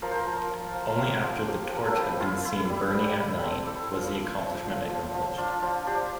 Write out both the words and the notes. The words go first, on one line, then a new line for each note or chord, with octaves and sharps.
Only after the torch had been seen burning at night was the accomplishment acknowledged.
F3 A#4
C5
A#4
F3
F3
F3
F4
C4 G4
F3 F4
F3 G4
F3 A#4
A4
E4 G4
E4 F4
E4
G3
G3 G4
E4
C4 A4
E4 A4
F3 F4
F3
F3
F3
F3
F3
D4 F4
F3
D4 G4